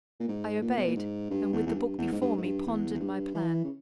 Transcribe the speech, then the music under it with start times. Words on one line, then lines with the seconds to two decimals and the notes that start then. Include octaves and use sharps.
I obeyed, and with the book before me pondered my plan.
0.20 A#2
0.28 G#2
0.62 A#2
0.77 B2
0.87 A#2
0.96 G#2
1.30 G2
1.53 E2
1.66 E2
1.75 G2
1.98 E2
2.12 G#2
2.21 G2
2.37 G#2
2.43 G2
2.66 E2
2.94 E2
3.00 G2
3.35 E3
3.64 C#3